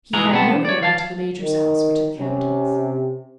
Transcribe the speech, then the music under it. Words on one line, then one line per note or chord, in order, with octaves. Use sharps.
He had no errand to the Major's house or to the Captain's.
G#2 B2 E3 G#3 G#4 A#5
B1 B3 C4 A5
E3
C#5 D5
E3 F5 A5
D#3
C3 C#4